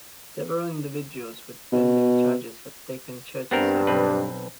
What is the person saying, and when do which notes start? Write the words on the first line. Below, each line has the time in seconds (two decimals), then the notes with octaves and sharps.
Several individuals with pending charges had taken church asylum.
1.72 B2
3.51 G2 B3 C4 D4 A#4
3.87 B1 C4 B4